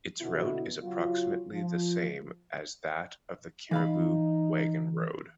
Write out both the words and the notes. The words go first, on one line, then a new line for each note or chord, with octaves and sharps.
Its route is approximately the same as that of the Cariboo Wagon Road.
B2 D3 E4
C#3 F#3 F4
F3
E3 D#4 F5 B5